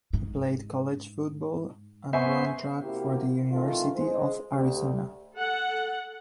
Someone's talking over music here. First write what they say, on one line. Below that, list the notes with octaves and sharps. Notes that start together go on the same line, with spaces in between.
He played college football and ran track for the University of Arizona.
G#2
B3 C5 E5 G#5 C#6
C3 A#3 E4 F#4 G4
D#3 E3 A3 C4 F4
G#3 C5
D2 G4
A4 F#5